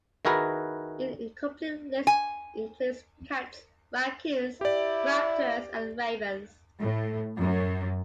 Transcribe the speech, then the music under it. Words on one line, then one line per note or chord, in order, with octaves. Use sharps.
An incomplete list includes cats, raccoons, raptors and ravens.
D#3 E4 F#4 G#4 A#4 B4
G#5
E4 G4 D5
A2
F#2